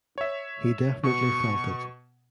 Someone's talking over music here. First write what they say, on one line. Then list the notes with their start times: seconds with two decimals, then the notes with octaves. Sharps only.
He definitely felt it.
0.18 C#5 E5
1.03 B2 C#6